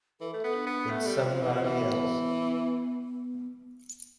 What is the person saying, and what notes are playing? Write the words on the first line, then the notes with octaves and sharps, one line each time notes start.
It's somebody else.
E3 A4
A3
B3
D4
B3
A3 B3
G3
B3
F3 C4
E3
F3
E3 B3